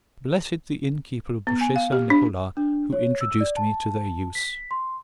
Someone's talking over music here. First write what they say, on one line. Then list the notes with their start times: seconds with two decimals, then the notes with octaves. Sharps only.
Blessed the innkeeper of Bouchet St. Nicholas, who introduced me to their use!
1.47 B3
1.61 G#5
1.76 F5
1.92 G4
2.10 D4
2.57 D4
2.93 C#5
3.21 E6
3.41 D5
3.57 A5
4.35 B6
4.71 C6